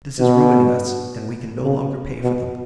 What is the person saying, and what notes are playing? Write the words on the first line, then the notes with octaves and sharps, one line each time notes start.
This is ruining us, and we can no longer pay for them.
B2
C#3
B2